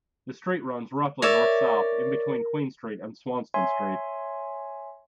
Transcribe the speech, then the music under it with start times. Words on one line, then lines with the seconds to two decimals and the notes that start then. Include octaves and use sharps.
The street runs roughly north-south in-between Queen Street and Swanston Street.
1.22 A#4 C#5 D5 E5
3.54 C#5 E5 G#5 C6